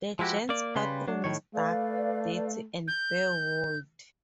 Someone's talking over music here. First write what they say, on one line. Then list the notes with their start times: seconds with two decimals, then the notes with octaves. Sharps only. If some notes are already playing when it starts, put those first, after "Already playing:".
The gents' bathroom is dark, dirty and bare-walled.
0.19 F3 G#3 E4 F#4 G4
0.49 A#3 D5
0.76 C#3 G3 B4 C6
1.08 F#3 D4
1.24 A2 D#3 C#5
1.54 A3 B4 D5 F5
2.88 G6